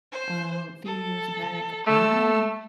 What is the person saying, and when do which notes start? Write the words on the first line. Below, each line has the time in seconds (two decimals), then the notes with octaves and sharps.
uh, few years back, I
0.12 C5
0.86 A4
1.86 A3 A4 E6